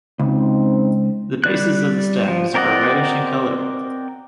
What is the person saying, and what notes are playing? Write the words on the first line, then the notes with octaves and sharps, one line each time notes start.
The bases of the stems are reddish in color.
C#2 C4 D#4
G3 D5 F#6
F3
C4 A#4 D5 D#5 F#5